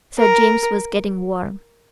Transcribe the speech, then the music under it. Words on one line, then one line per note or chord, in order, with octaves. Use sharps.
Sir James was getting warm.
A#4